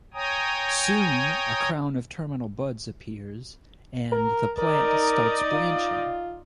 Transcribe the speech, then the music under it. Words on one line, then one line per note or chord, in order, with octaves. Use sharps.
Soon a crown of terminal buds appears and the plant starts branching.
C#5 G5 G#5 A#5 D#6
A#4
D#4 A#4 D5 D#5
F4